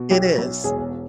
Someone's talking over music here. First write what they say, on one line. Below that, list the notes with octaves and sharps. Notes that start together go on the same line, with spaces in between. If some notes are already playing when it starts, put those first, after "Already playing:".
It is.
Already playing: B2
B1 G4
B1
E1 G#4